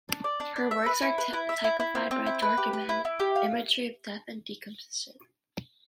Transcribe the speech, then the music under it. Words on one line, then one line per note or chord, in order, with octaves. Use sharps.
Her works are typified by dark imagery of death and decomposition.
D4
D5
D4
D4
E5
B4
E4
B4
E4
E5
E4
E4
C4
C4
E4
B4
G4
B4
E4
E4
G4
F5